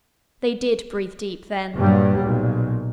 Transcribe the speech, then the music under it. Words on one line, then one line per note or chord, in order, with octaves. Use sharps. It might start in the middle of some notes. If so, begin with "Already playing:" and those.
They did breathe deep then!
G2 A#2 F#3 G3
B1 A#2